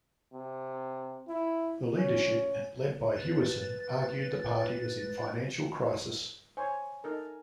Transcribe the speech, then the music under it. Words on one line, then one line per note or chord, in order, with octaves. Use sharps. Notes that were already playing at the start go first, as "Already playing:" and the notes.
The leadership led by Hewison argued the Party was in financial crisis.
C3
E4
C#4
B4 A6
C5 C#5 G#5
D#4 A4 A#4